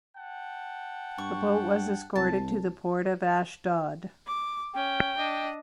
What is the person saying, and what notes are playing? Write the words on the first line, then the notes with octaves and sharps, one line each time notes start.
The boat was escorted to the port of Ashdod.
F#5 G5 A5
G2 C#6
C2 A5
D6
C#4 G5
D4 D#5